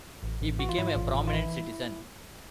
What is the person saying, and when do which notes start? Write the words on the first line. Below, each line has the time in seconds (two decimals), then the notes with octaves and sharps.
He became a prominent citizen.
0.23 A1
0.41 A1
0.59 E3 F#4
0.69 F4
0.78 G#2 E4
0.88 F4
0.96 A1
1.15 A1
1.27 F4
1.33 E3 E4